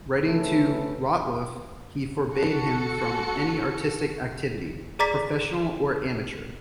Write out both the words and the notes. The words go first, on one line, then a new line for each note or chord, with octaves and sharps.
Writing to Rottluff, he forbade him from any artistic activity "professional or amateur".
C3 A3 C#4 A4 B4
F#4 A4 C#7
G#4 D5 A#5 D6 A6 B6